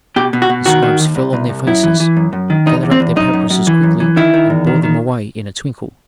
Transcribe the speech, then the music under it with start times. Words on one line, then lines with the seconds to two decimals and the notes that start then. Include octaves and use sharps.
The scribes fell on their faces, gathered up their papyruses quickly, and bore them away in a twinkle.
0.16 B2 G4
0.33 B2
0.42 F#4
0.50 B2
0.66 D#3 F#4
0.83 D#3
1.00 D#2
1.16 C2
1.33 C2
1.49 C2
1.67 F#2 E4
1.84 E3
2.00 E3
2.17 F#2
2.33 F#2
2.50 D#3
2.66 E2 D#4
2.83 E2
2.91 C4
3.00 E2
3.16 F#2 D#4
3.34 F#2
3.50 F#2
3.67 E3
3.83 F#2
4.00 E3
4.16 D#3 E4
4.34 D#3
4.50 E2
4.67 D#3
4.83 D#3